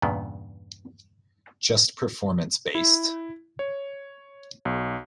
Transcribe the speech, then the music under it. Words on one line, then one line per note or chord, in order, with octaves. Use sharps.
Just performance based.
E2 G2 A#2 C#3 B3
E4
C#5
B1